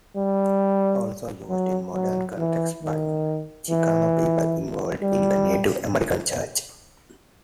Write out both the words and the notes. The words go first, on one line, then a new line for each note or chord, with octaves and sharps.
Also used in modern context by Chicano people involved in the Native American Church.
G3
F#3
F#3
E3
D#3
E3
G3